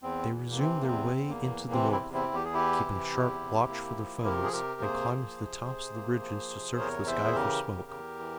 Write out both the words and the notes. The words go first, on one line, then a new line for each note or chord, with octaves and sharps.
They resumed their way into the north, keeping a sharp watch for their foes, and climbing to the tops of the ridges to search the sky for smoke.
E2 C4
E3
A#3
C3 C4
A#3
E2 C4
E2
A#3
E3
C3 C4
C4 E4
E2
C4 E4
E2
G4
G#4
E3 E4 G4
C3
E2
C3
A#3
F3
C3 G4 A#4
G#4
C3 G4 A#4
A#3 G#4 C5
F3
C3
C3
A#3
F3
C3
E2 A#4 C#5
E3 C5 E5
G#4
C#3 G4 A#4
E2
E2
E3